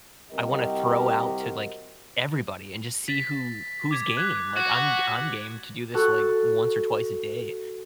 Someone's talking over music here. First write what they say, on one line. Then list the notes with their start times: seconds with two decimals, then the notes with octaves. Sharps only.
I wanna throw out to, like, everybody and just see who who's game. Like, I'm g I'm game to do this, like, once or twice a day,
0.32 C2 C4 F#4 G4 A#4 D#5
3.08 A6 B6
3.91 D6 G#6
4.17 F#6 G#6 B6
4.56 F#4
5.94 F#4 A4 A5 C#6 F#6